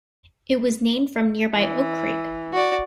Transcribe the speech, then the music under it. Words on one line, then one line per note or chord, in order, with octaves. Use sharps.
It was named from nearby Oak Creek.
E3
F#4 D5